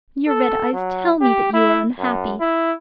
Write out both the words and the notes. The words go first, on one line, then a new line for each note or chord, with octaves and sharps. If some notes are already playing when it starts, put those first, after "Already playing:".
Your red eyes tell me that you are unhappy.
A4
F#3
G4
E4
F#2
E4